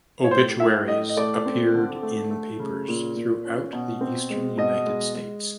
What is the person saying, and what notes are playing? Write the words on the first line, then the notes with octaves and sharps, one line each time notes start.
Obituaries appeared in papers throughout the eastern United States.
C#5
A2 C5
A2 E5
A2 D#5
D#5
A3 D5
C4
D3
A3
A3
C#3
A#2
A#2
C#4
B2
C4
G#3
B2 D#5
G#3
G#3